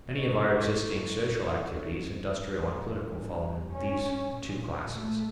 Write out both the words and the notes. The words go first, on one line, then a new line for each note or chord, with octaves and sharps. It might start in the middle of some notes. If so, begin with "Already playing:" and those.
Many of our existing social activities, industrial and political, fall in these two classes.
A#3 E4 A4 D#5 C#6
G#2
G2
C#4
A#2
A3